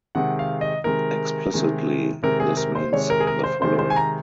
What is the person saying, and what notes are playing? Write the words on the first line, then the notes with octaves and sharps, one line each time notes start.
Explicitly, this means the following.
C3 D#3 G#3 F#5
F5
D#5
C3 D#3 G#3 A#4
C3 D#3 G#3
C3 D#3 G#3 A#4
G#4
A#4
C5
C3 D#3 G#3 C#5
A#4
G#4
A#4
C5
C3 D#3 G#3 C5
C5
G#5
A#5